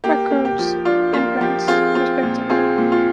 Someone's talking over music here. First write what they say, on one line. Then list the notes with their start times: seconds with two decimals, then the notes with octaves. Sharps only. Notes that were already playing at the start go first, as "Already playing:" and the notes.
Records imprints, respectively.
0.04 A#3 G4
0.31 A#3
0.45 G4
0.59 F3
0.85 D4 F4
1.13 A#3 F4
1.41 F3 G4
1.68 C4 F4 G#4
1.95 C4 F4
2.23 A#2
2.50 C4 F4 G#4
2.78 A#2
2.92 F4